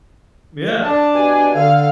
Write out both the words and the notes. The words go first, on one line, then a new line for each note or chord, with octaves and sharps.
M yeah.
D4 A5
B2 G4 G#5
D3 F5